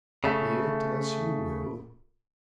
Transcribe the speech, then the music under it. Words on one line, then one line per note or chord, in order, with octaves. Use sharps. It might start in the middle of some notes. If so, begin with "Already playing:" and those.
"Be it as you will."
C#3 A3